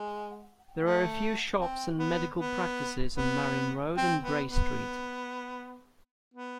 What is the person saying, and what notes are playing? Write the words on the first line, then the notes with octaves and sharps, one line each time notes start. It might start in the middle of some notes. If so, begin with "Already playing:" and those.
There are a few shops and medical practices on Marion Road and Bray Street.
Already playing: G#3
A3
C4
B3
B3
B3
C4
B3
B3
B3